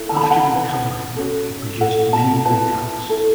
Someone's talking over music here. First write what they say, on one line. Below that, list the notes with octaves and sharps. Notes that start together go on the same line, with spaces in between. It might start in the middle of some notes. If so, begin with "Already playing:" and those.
After recovering, he produced many woodcuts.
Already playing: E4 A4
A5
B5
A5
F#5
E4 B4
C#4 F#4 A4
E4 A4 F#5
A5
E4 B4 A5
E4 A4